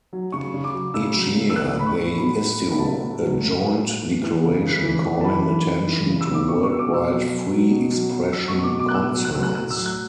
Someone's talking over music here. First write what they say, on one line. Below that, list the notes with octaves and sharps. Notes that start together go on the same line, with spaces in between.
Each year, they issue a joint declaration calling attention to worldwide free expression concerns.
F#3
C#3 C#6
C#3
D6
F#3
C#3 E6
F#3
C#3
E6
A2 F#6
A2 B5
C#6
A2
F#3 B5
A2
F#3
B5
F#3 A5
A2
F#3
A2
F#3
A2
E3
E3
C#3
C#3
E3
E3
A5
E3 B5
E3
E3
E3
C#3
E6
C#3
D6
B2 C#6
C#6
B2 E6
D6
B2
E6
F#3
F#3
F#3
B2
F#3
F#3
F#3 E6
C#6
B2
C#6
D6
B2
D6
F#6
A2 E6
F#3
F#6
F#3 E6
F#6
A2 F#6
E6
F#3
F#6